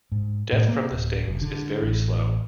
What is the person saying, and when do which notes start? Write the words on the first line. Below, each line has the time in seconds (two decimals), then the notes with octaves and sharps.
Death from the stings is very slow.
0.12 G#2
0.52 A2
0.68 A#3
0.91 D1
1.27 F1
1.42 D3
1.82 A1